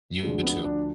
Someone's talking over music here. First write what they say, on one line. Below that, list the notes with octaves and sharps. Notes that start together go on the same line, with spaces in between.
You too.
D2 D3 F3 G#3
B3
D4